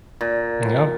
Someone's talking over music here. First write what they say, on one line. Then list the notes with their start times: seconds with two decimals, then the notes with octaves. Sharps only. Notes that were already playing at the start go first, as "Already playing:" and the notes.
And, yep.
0.21 A#2